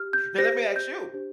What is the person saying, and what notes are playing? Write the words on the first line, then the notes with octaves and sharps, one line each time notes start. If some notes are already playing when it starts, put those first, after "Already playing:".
Now let me ask you.
Already playing: G4 F6
G6
G4 C5 A#6
G6
D4 G4 C5